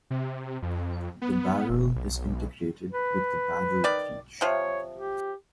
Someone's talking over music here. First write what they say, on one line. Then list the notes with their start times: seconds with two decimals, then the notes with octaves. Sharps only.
The barrel is integrated with the barrel breech.
0.10 C3
0.62 F2
1.22 B3
1.70 F1
1.96 B1
2.92 B4
3.84 D#3 D5
4.41 C3 F3 C#5
4.94 G4